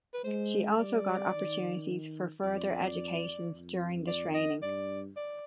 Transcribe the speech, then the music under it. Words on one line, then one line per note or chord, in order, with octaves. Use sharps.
She also got opportunities for further educations during the training.
B4
G#3 C5
G3 D5
D#3
F2 D5
F2
D5
D#5
G2 D5
D5